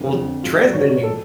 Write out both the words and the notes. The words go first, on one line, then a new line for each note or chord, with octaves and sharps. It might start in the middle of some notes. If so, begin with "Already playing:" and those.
Well, translating
Already playing: F2 D3 F3 C#4
F2 D3 F3
G#2 F#3 F4
D5
G#2 F#3 C#5
C#5
F3 A4